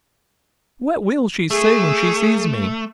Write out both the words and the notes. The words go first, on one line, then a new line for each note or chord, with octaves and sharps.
What will she say when she sees me?
A3 G#4